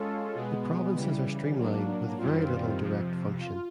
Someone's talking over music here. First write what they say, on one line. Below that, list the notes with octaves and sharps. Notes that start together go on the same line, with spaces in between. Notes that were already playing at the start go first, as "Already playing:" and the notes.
The provinces are "streamlined", with very little direct function.
Already playing: G#3 C#4 F4 A4
B2 G#3 B3
C#3 E3 G3
F#3 A#3 D4
F#2 D#3 G3 C4 F4
F2 C3 F3
F4